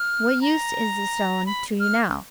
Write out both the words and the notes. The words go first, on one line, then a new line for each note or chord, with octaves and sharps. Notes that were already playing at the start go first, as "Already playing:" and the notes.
What use is the stone to you now?
Already playing: F6
A#5
B5
F6